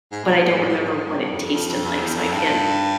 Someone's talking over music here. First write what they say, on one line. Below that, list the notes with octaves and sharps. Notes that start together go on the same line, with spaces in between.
but I don't remember what it tasted like, so I can't
G#2
B2
A#2
A2
G#2
A2
G#2
G2
F2
F2
F2
F2
E2
F2
G2